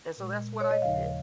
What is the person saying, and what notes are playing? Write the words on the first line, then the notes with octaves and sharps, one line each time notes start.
and so that's what I did,
A#2 G#3
C#5
D#5
D#2 C#3 F3 F5